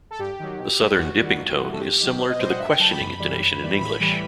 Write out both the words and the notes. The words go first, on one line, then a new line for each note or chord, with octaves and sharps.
The Southern "dipping" tone is similar to the questioning intonation in English.
A4
G2 G4
D#3 F#3
B2
G3
E2 F#4
D#3 G3
G2
E3 G3
A4
G2 G4
D#3 F#3
B2 C5
D#5
G3 C5
F#5
G2 E5
G5
F#3 A5
B5
F#2
E3 G3
F#2
E3 G3
A2 B5
E3 G3